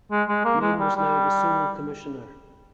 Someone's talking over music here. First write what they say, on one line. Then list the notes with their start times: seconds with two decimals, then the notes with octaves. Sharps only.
Mayne was now the sole Commissioner.
0.11 G#3
0.28 G#3
0.45 A#3
0.61 G#3
0.80 G3
0.95 G3